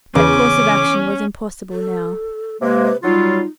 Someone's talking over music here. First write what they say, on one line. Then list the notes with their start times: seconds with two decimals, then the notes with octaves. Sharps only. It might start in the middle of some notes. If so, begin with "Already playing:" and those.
That course of action was impossible now.
0.15 E2 C#3 C#4 D6
1.71 A4
2.62 C3 G#3 A#3 B4
3.03 F#3 G3 D#4 F4